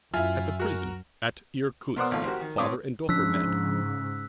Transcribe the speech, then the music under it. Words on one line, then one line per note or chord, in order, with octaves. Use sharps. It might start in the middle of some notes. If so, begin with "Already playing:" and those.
At the prison at Irkutsk father and daughter met.
F#2 E4 F4 E5 G#5 F6
F#4 A#4
B2 A#4 C5 D5 F#5 D#6
G#1 F3 A3
F#4 G4 A#4 C5
D#3
A2 C4 C#5 D6 D#6
G#2 C#3 F3 D4 E6 F#6 B6